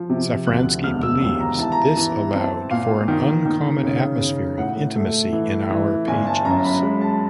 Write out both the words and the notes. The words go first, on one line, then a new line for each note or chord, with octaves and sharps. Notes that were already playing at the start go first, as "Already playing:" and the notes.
Safransky believes this allowed for an uncommon atmosphere of intimacy in our pages.
Already playing: F3
C3
D2 F#6
E1 F6
E6
D#2 E6
A#5
E3 A5
A#5
A5
E3
C4 A5
A#2 F5
D#3
D#3
C#3
C#3
A2 F#5
A3
E3
E3
G1 G#5
A5
F#2 A#5
B5
G#3 B5
A5